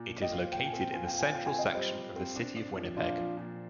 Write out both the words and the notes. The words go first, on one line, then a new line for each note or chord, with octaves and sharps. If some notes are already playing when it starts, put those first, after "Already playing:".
It is located in the central section of the City of Winnipeg.
Already playing: A#2
A#2
D#5 G5
F4
A#2 G5
G#5
C4
G5
F4 G#5
G5
F4
G#5
F4 G5
G#5
C4 D#5 G5
G3 C5 D#5
G3
C4
D4
D4
F3
A#2 D4 F4
F3
A#2